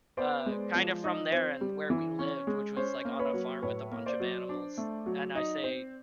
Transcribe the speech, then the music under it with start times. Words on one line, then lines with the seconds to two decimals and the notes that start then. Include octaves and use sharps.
uh, kinda from there and where we lived, which was, like, on a farm with a bunch of animals. And I say
0.17 B3 C5 D5
0.46 G#3
0.75 F3
1.04 D#4
1.32 C4
1.61 G3
1.90 E3
2.19 C#4
2.47 G#3
2.76 C#4 C5
3.05 A#3
3.19 B4 C#5
3.33 F#3
3.62 A2 B4 C#5
3.91 A#3
4.06 C5 D5
4.20 F#3
4.49 D4
4.77 A3
5.06 F#3
5.35 D#4
5.64 C4